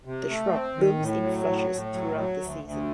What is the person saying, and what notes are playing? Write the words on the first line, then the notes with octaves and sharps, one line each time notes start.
The shrub blooms in flushes throughout the season.
C3
A3
C4
D#3
A2
F#3
A2
A2
F#3
F#3
D2
D2